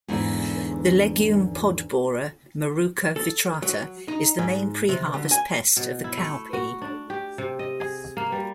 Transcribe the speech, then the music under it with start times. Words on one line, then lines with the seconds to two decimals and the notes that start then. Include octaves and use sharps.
The legume pod borer, "Maruca vitrata," is the main pre-harvest pest of the cowpea.
0.08 E2 G#2 D3 D4 E4
3.16 A4
3.62 F#3
4.08 D#4
4.39 G#2
4.89 C3
5.14 D3
5.31 G#5
5.77 B2
6.04 E4
6.17 A3
6.53 F#4
6.82 D4
7.10 G4
7.38 C3
7.59 D#5
7.80 G#4
8.17 A#3
8.32 G3